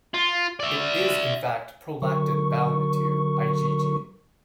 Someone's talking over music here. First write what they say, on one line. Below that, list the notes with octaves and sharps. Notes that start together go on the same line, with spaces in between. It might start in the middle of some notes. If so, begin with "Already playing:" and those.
It is in fact prolactin bound to IgG.
F4
D5 E5
D3 F#3 A#4 C#6